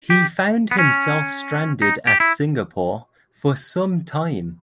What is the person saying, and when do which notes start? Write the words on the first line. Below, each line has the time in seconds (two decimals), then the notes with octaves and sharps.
He found himself stranded at Singapore for some time.
0.10 G4
0.71 B3
0.79 C#4
1.82 D#4
2.07 G4
2.20 E4